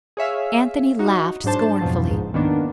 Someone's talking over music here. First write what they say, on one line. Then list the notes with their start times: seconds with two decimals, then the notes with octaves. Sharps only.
Anthony laughed scornfully.
0.17 G#4 C#5 E5 F5
0.99 D#4 F#4
1.44 G#2 F#3 D4 C5 A5
1.81 F2 B2 F3 F#3
2.07 C#2 G#2
2.34 D#3 A#3 B3 D4